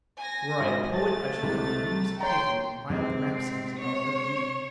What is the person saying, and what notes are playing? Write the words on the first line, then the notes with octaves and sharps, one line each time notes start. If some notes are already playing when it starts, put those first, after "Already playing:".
Were I a poet, I should cover reams of paper with wild rhapsodies about her beauty.
G#5 A#6
G#1
A3 A6
C2 C3 G#3
C#5 G5 A#5 C6
C3 G#3 C4 D#4
C#5